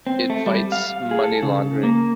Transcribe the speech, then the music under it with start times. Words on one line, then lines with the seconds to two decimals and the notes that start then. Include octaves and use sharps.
It fights money laundering.
0.07 C4
0.30 A3
0.46 G3
0.72 F5
1.11 G#4
1.24 A4
1.43 C#3
1.83 A#3